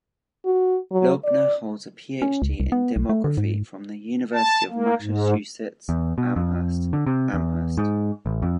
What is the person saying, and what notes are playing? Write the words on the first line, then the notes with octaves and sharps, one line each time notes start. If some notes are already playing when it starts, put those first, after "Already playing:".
Loebner holds a Ph.D. in demography from the University of Massachusetts Amherst, Amherst.
F#4
F#3
D5
C#4
C#2
C2
B3
B1
A3
D3
G#2
A5
A#3
G#2
E2
B2
F2
D3
C3
E2
G#2
A1
F2